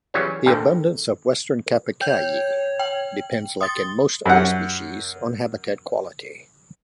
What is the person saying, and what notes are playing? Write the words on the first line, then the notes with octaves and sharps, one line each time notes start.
The abundance of western capercaillie depends-like in most other species-on habitat quality.
E3 F#3 G3 C#4 G#4 C#5
G#1 D#2 D3 A4 A#4 G5
C#5 G5 G6
G5
C6 D#6 A6
F#2 F#5